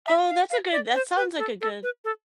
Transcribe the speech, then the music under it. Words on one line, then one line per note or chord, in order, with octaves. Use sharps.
Oh, that's a good that sounds like a good
E5
F5
F5
D5
C5
B4
A4
A4
B4
A4